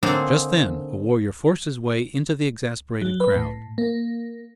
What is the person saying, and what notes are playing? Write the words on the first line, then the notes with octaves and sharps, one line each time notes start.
Just then a warrior forced his way into the exasperated crowd.
D3 A#3 C4 D#4 G#4 C#5
F#3
B4
A2
A#3